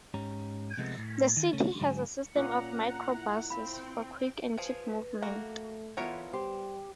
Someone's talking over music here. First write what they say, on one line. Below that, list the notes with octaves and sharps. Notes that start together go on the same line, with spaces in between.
The city has a system of micro-buses for quick and cheap movement.
G#2 C#4 G4 A#5
C3 F3 G#3 A3 B3
A2
D#3
C#3 A3 C#4
G#2 D3 F#3 G#3 B4 G#5
A#2 C#4 F#5 A#5
E4
C4 F5 B5
F3 G#4 B4
A3 A#3 F#4
E2 B3 E4 F4 A4 A#4 C#5
G3 G4 C5